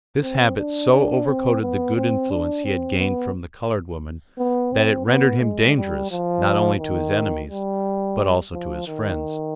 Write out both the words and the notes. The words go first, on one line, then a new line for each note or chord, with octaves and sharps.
This habit so over-coated the good influence he had gained from the colored woman, that it rendered him dangerous not only to his enemies, but also to his friends.
C4
D4
D4
C4
B3
C4
D4
C4
B3
B3
C4
B3
G#3
G3
F3
D#3
G3
F3
D#3